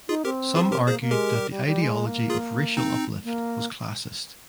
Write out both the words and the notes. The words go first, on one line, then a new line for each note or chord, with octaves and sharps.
Some argued that the ideology of racial uplift was classist.
D#4 F4 G#4
C4 G4 A#4
F4 G#4
G4 A#4
A#3 G#4 C5
A#3
G#3 G4 A#4
G3
G3
G3
G#3
A#3
F4 G#4
C4 D#4
A#3